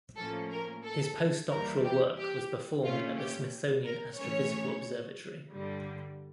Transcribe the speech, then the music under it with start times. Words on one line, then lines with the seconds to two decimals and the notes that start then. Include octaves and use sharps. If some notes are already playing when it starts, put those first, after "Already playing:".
His post-doctoral work was performed at the Smithsonian Astrophysical Observatory.
0.17 A2 F3 A#3 C#4 A4
0.50 A#4
0.84 A4
1.51 E2 E3 G3 A#3 A#4
1.84 G4
2.18 G4
2.84 A#2 A3 C#4 F4
3.17 G4
3.85 A#4
4.18 A2 E3 A3 C#4 C#5
5.52 G2 D3 G3